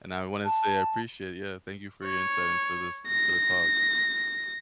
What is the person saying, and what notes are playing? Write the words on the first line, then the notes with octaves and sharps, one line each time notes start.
and I wanna say I appreciate Yeah, thank you for your insight and for this for the talk.
A5
C#5
A#6